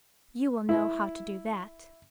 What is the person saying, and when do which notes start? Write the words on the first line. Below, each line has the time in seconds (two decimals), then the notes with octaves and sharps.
You will know how to do that.
0.69 E4